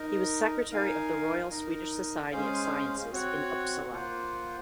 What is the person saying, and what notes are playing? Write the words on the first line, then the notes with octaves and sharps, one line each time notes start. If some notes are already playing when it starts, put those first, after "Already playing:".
He was secretary of the Royal Swedish Society of Sciences in Uppsala.
Already playing: D#4 A#4 D#5
D#4 A#4 F5 G#5
D#4 A#4 D#5
G#3 C#4 G#4 C5 F5
C4 F#4 C#5 F#5
A#3 F4 C5 F#5